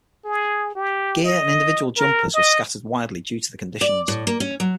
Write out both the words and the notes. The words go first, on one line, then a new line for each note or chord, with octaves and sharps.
Gear and individual jumpers were scattered widely due to the conditions.
G#4
G4
D#5
A#4
D#5
D5
A2
A#3
C#4
F#3